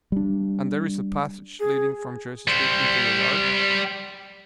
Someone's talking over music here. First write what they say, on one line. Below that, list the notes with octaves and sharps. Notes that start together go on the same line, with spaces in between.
"And there is a passage leading from Jersey Street into your yard?"
G3 D4
G#4
G3 C5